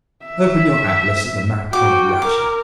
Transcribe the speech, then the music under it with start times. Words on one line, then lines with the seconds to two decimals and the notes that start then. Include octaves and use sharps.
Open your atlas at the map of Russia.
0.25 E5
1.73 F#4 G5 D6
2.22 A#4 D6